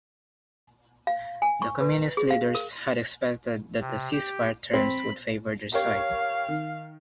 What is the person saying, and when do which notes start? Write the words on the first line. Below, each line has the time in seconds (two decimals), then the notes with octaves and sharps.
The communist leaders had expected that the ceasefire terms would favour their side.
1.07 F5
1.42 G#5
1.62 C#6
1.81 B4
2.17 G#4
2.31 F5
2.55 A#4
3.80 C3
4.11 G4
4.74 C4 B5
5.73 G4 A#4 C#5 F5
6.48 D#3